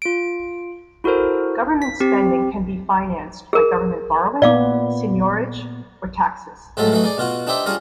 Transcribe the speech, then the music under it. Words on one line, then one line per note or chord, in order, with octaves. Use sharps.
Government spending can be financed by government borrowing, seigniorage, or taxes.
F4 D7
E4 F#4 A4 A#4 C5
B6
C4 G4
G#4 A#4
A#2 B3 D5 F5 D6
A2 F3 F#3 G#3 A3 A4
E3 F#3 A3 D#4
D#4 G#4 D5
B2 F4 F#4
D4 D#4 G4 C5 E5
G3 C#4 D4 F4 G#4 A#4